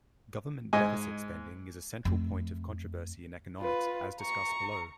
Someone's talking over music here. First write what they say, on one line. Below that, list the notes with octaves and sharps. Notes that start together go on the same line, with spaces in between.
Government deficit spending is a central point of controversy in economics, as discussed below.
G#2 D#5 G#5
F2 A3
F4 B4
A#5 C#6